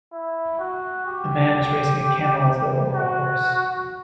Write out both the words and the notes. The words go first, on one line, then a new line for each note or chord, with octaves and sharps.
A man is racing a camel as though it were a horse.
E4
F#4
G4
F#4